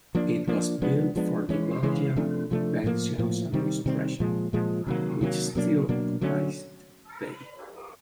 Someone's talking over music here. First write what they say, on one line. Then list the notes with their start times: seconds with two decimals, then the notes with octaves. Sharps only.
It was built for the Belgian Pensions Administration, which still occupies it today.
0.15 F3 A#3 D4
0.47 F3 A#3 D4
0.82 F3 G#3 B3 D4
1.16 F3 G#3 B3 D4
1.49 E3 G#3 C#4
1.83 E3 G#3 C#4
2.16 C3 F3 A3 D4
2.51 C3 F3 A3 D4
2.84 A2 F3 A#3
3.18 A2 F3 A#3
3.53 C3 D#3 G3 C4
3.86 C3 D#3 G3 C4
4.20 A#2 F3 G#3
4.53 A#2 F3 G#3
4.87 C3 D#3 F#3 A#3
5.21 C3 D#3 F#3 A#3
5.55 B2 F#3 A#3 D4
5.89 B2 F#3 A#3 D4
6.21 D3 F#3 A3 C#4